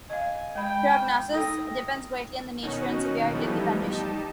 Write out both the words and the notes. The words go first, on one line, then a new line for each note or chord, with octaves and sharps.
Prognosis depends greatly on the nature and severity of the condition.
D#5 F5 G#5
G#3 G5 B5
D#4 A4 D#5 G5
B2 D#3 C#4 D#4 F#4
E3 F3 G3 A3 B3 D#4
D#4 G4 A5